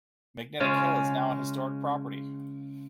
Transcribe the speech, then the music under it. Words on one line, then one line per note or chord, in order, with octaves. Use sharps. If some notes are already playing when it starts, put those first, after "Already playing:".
Magnetic Hill is now a historic property.
C#3 G#3 C#4 F4